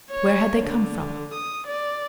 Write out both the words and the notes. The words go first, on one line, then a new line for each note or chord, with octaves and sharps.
Where had they come from?
C#5
D3
D#6
D5